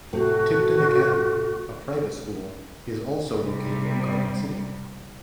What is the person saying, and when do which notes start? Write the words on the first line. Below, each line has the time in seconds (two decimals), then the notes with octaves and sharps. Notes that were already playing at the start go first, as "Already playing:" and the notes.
Tipton Academy, a private school, is also located in Garden City.
0.13 A2 C3 A3 F#4
3.31 C3 G3